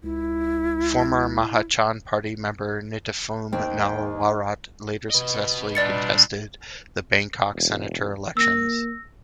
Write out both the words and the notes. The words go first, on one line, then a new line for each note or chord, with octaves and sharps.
Former Mahachon Party member Nitiphoom Naowarat later successfully contested the Bangkok Senator elections.
C#2 E4
D#2 C4 D#4 G5
B4 D#5
A#2 G3 D4 D5 A6 C#7
E1
A#3 E6 A#6